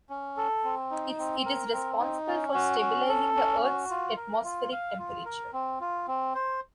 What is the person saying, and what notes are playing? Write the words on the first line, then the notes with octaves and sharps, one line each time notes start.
It is responsible for stabilizing the Earth's atmospheric temperature.
C#4
A4
C4
D#4
C4
A#4
C4
D#4
C#4
F#4
C#4
A4
C#4
F#4
F4
A#4
F4
F5
F4
A#4
C4
F4
C4
C5